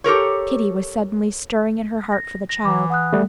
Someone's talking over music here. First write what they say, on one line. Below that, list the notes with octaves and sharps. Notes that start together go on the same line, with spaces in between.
Pity was suddenly stirring in her heart for the child.
G4 A4 A#4 C#5
A#6
A#6
E3 D6
F#5 D#6 F#6
G3 A3